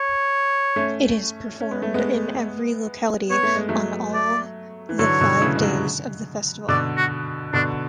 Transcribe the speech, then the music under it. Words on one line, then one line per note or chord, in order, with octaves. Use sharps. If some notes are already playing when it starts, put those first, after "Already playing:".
It is performed in every locality on all the five days of the festival.
Already playing: C#5
A3 C#4
C#4
B3
A3
G#3 B3
B3 C#5
A3
G#3
F#3 A3
D5
E3
D3 F#3 C#5
B2 D3
C#3 E3
G#3
D3 F#3
B2 D3 D5
F#4
B2 D3 D4